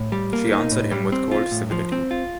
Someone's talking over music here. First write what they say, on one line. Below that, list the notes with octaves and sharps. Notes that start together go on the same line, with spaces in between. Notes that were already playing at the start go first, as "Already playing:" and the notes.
She answered him with cold civility.
Already playing: A2
G3
A#3
D#4
A2
G3
C4
F4
A2
F3
C4
F4